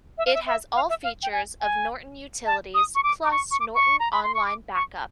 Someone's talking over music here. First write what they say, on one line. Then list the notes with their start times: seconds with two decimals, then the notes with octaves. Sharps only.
It has all features of Norton Utilities plus Norton Online Backup.
0.18 E5
0.26 F5
0.35 E5
0.47 E5
0.75 F5
0.89 E5
1.04 F5
1.23 G5
1.32 G#5
1.61 G#5
2.46 A5
2.74 D#6
2.95 C#6
3.03 D6
3.24 D6
3.31 C#6
3.51 C#6
3.60 D6
3.75 C#6
4.00 A#5
4.12 B5
4.23 C6
4.35 C#6
4.45 D6
4.74 C#6